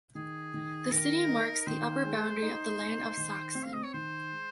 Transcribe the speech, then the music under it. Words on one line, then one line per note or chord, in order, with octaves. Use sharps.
The city marks the upper boundary of the Land of "Sachsen".
D#3 G#4
D#3
D#3 A#4
D#4
A#4
D#3 C5
G#3
D#4
D#4
D#3
C4
F5
D#5
C#5
D#3 C5
G#3